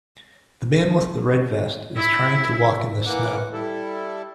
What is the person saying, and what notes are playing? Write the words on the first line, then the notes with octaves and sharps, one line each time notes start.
The man with the red vest is trying to walk in the snow.
E4 E5
E3 A#3 F#5 D6
G3 E4 A4